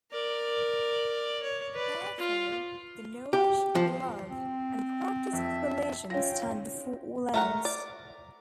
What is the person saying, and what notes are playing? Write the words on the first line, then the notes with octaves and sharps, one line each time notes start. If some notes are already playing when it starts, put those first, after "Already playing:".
Therefore, the knowledge, love and practice of religion stand before all else.
A#4 D5
C#5
B4 D5
F4
G4
F3
C4
F2 E5 A5
C#4 F4 G5 A#6
A3 A#4 F#5
D5